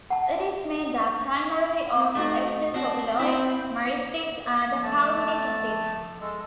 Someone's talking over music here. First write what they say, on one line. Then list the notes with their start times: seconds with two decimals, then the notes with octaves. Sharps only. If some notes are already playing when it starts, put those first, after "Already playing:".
It is made up primarily of esters of lauric, myristic, and palmitic acid.
0.10 F#5 A5
1.95 C4
2.15 A3 C4 D#4 F#4
2.50 D#5
2.74 C4 F#4 A5
3.19 C4 E4 G5
4.83 A3 A5
6.21 G#3 A4